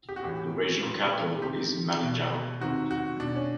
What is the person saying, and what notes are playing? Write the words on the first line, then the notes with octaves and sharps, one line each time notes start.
The regional capital is Madingou.
G4
F#4
A2 E3 G4
A#2
C3 D#3 G4
B2
C3 D#3 F#4
F#4
B2 D4
C#4